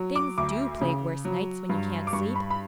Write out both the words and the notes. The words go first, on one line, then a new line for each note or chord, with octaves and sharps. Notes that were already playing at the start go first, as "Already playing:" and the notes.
Things DO plague worse nights, when you can't sleep.
Already playing: F#3
D6
D2 D6
C#3
F#3
G2
D6
G2 C#6
B5
B5